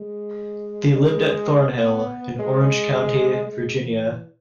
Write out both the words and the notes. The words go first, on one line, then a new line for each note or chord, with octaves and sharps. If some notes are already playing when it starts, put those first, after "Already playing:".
They lived at "Thornhill" in Orange County, Virginia.
Already playing: G#3
G#3
B3
G#3
G#3
E3